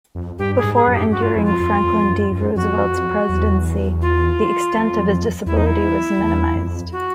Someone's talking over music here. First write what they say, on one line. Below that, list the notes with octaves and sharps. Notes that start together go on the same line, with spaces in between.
Before and during Franklin D. Roosevelt's presidency, the extent of his disability was minimized.
F2
G2 G4
G#4
G#2
G#4
F#2
G4
G2 F#4
F4
F2 E4
F4
F2
F2
F#2
F#2
F2 F#4
E2
F4
F2
E2 E4
D#4
E4
E2
F2
F#4